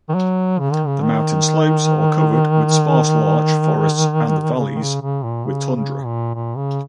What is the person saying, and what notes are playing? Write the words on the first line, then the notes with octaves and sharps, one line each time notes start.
The mountain slopes are covered with sparse larch forests and the valleys with tundra.
D#3
F#3
C#3
D#3
C#3
D#3
C#3
D#3
C#3
C#3
A#2
C#3
C#3
A#2
A#2
C#3